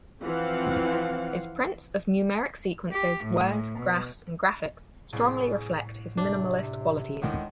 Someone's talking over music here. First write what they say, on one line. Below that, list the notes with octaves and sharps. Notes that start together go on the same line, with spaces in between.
His prints of numeric sequences, words, graphs, and graphics strongly reflect his minimalist qualities.
E3 F3 C4 F5 F#5
G4
A2
B2
C2 A2 G#4
C3 D4
A2 D3 D#3 G#3